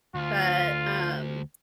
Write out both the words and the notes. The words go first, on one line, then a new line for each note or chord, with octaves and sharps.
but, um,
D2 F4